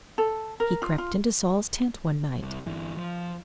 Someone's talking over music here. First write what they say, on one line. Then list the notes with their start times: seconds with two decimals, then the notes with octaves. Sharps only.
He crept into Saul's tent one night.
0.18 A4
0.60 A#4
0.82 F4
0.98 F4
2.42 C2
2.66 G1 E3
2.97 F3